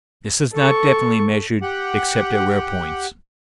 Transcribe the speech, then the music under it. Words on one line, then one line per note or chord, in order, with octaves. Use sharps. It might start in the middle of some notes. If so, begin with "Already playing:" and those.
This is not definitely measured except at rare points.
A4 C#6
G4 F#5